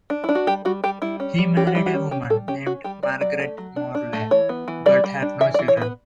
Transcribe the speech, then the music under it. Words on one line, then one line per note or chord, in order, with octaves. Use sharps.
He married a woman named Margaret Morlay, but had no children.
D4
D4 E4
F#4
G3 G4
G3 F#4
G3 G4
G3 E4
C#4
G3
C#4 G4
F#4
G3 E4
F#4
C#4
C#4 G4
G3 A4
C#4 G4
C#4 F#4
G3 G4
G3 D5
F#3 D5
A3
F#3
D4
D4
A3
E3 C#5
B3
E3
G3 D5
G3
D4
E3 E5
D5
E3
C#5
B3 B4